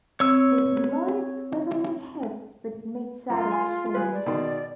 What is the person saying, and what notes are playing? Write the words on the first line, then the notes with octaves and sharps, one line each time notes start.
Those lithe, swivelling hips put Mick Jagger to shame.
C4 C#5 E6
F#2 F4
G#5 C6
G#3 G#4 B4
D5
B2 D#3 C6